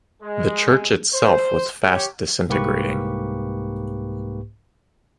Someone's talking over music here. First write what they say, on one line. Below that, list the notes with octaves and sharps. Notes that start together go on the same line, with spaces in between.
The Church itself was fast disintegrating.
G#3
C5
G4 C#5
C2 G#2 A#3 G4 B4 C#6